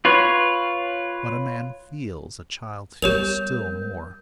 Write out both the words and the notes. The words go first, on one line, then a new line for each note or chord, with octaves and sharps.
What a man feels a child feels still more.
F4 B4 C#5
G3 B3 G4 A#4 C#5 G6 F7